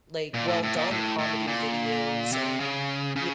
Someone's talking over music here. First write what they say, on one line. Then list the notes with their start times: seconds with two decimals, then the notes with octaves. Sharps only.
like, well done comedy videos. And you know,
0.34 A#2
0.48 A2
0.63 A2
0.76 A#2
0.91 A2
1.18 A2
1.47 A#2
2.32 C3
2.60 C#3
3.16 C#3